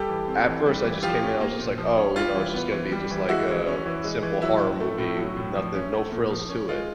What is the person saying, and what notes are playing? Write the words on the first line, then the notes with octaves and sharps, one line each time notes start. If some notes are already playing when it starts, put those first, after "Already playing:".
at first, I just came in, I was just like, "Oh, you know, it's just gonna be just, like, a simple horror movie with nothing no frills to it."
Already playing: G3 G4 A4
E3
C4
E3
G3
E3
F3 F4 G4
C#4
A#3
A#2
F3
C#4
G3 F4
E3
B3
E3
G3
E3
G#3 E4 F#4
E3
C#4
E3
G#3
E3
F#3 E4
A2
A3
A2
F#3
A2
F3
C#4
A3
A#2
F3
C#4
G#3 F4